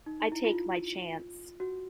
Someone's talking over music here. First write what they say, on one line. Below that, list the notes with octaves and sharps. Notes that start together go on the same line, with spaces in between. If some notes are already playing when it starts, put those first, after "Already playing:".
I take my chance.
D#4
D#4
E4
F4
F#4